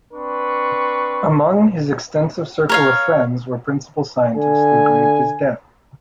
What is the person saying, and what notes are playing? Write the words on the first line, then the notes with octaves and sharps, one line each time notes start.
Among his extensive circle of friends were principal scientists who grieved his death.
C4 D4 B4 C#6
A#4 C#5 F5
D3 G#5